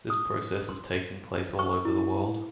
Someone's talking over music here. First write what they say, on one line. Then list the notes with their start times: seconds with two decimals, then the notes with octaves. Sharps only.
This process is taking place all over the world.
0.10 D#6
0.69 C6
1.59 C#6
1.85 E4